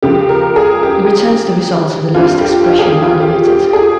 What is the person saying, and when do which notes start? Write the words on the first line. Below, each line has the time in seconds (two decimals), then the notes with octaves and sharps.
It returns the result of the last expression evaluated.
0.02 C#2 C#3 F3 G4
0.29 A#4
0.56 G#4
0.83 G4
2.14 G2 G3 C4 F4
2.41 G4
2.67 F4
2.79 G#4
2.85 G4
3.03 F4
3.20 G4
3.47 G4
3.73 G#4